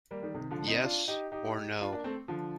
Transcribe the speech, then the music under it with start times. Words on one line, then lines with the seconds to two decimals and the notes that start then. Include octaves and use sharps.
Yes or No?
0.11 G3 A#3
0.22 D#3 G3
0.34 C3 D#3
0.51 D3 F3
0.67 C4 D#4
0.83 D4 F4
1.08 D#4 G4
1.32 D#4 G4
1.81 D4 F4
1.92 A#3 D4
2.04 A3 C4
2.28 D3 F3